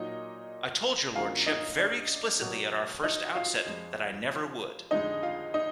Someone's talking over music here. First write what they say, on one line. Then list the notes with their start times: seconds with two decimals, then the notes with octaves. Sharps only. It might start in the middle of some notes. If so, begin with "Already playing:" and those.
I told your Lordship very explicitly at our first outset, that I never would.
Already playing: A#2 F#3 A#3 D#4 D#5
1.15 F#2 D3 F#3 A#3 F4 F5
1.46 D#4 D#5
1.78 D4 D5
2.41 B2 F#3 A#3
3.03 D#4 D#5
3.35 F4 F5
3.66 F2 F3 G#3
4.91 F2 D3 G#3 D#4 D#5
5.23 F4 F5
5.54 D#4 D#5